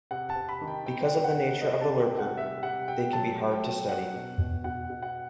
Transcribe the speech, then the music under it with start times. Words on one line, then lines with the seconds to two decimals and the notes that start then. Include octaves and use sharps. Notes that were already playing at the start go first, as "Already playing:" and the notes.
Because of the nature of the lurker, they can be hard to study.
0.11 C3 F#5
0.30 A5
0.36 C3
0.49 B5
0.61 D#3
0.67 G5
0.86 C3 G5
1.11 D#3
1.24 F#5
1.36 C3
1.62 C3 D#5
1.81 A5
1.87 D#3
2.00 G5
2.12 C3
2.18 F#5
2.37 G3 E5
2.63 C3 F#5
2.88 C3 G5
3.13 F#3 A5
3.38 F#3
3.51 G5
3.63 F#3
3.89 F#3 F#5
4.14 B2
4.39 B2
4.64 B2 F#5
4.90 B2
5.02 F#5